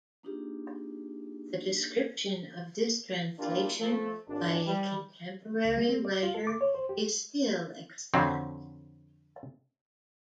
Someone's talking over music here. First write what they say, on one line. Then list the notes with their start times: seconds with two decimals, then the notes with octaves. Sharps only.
The description of this translation by a contemporary writer is still extant.
0.23 A#3 D4 D#4 F4 G4 G#4
3.39 A#3 D4 E4 F4 G4 A#4
3.81 F3 A3 A4
4.28 G#1 D4
4.66 G3
5.65 C#2
5.77 G#3
5.89 C4
6.05 D5
6.23 F4
6.34 A4
6.47 D6
6.61 C#5
6.74 C5
6.89 G4
8.14 F2 D3 F#3 C4